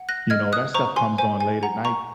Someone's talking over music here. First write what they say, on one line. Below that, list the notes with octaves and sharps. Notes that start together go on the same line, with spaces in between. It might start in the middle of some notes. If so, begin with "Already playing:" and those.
you know, that stuff comes on late at night.
Already playing: F#5
F#6 A#6
D#5 F6 G#6
D#6 F#6
C5 A#5 C#6
G#5 C6
C5 G#5
G#5
F#5 A#5
A#5 C#6